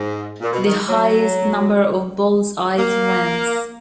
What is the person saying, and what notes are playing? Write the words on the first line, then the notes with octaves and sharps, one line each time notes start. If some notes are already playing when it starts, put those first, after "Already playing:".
The highest number of bulls-eyes wins.
Already playing: G#2
A#2
B2
D#3
F#3
A#3